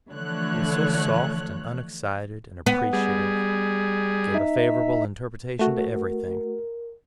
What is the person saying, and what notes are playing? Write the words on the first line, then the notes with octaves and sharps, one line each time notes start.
It was so soft and unexcited and appreciative--gave a favorable interpretation to everything.
D3 E3 F3 A3 C#5 F#6
B3
G3 G#4
D#4 E5
A3 F#4 A#4